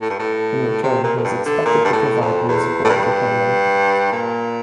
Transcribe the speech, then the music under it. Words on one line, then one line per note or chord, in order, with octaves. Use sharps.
In return, he was expected to provide musical entertainment.
A2
G2
A2
C3
A#2
F2
G2
D3
A#2
G2
A2
F2
E2
A2
G2
A#2